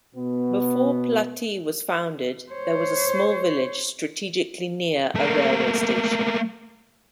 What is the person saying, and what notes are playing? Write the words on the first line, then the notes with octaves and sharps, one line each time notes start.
Before Platy was founded, there was a small village strategically near a railway station.
B2 B3
C5 C#5
A3 A#3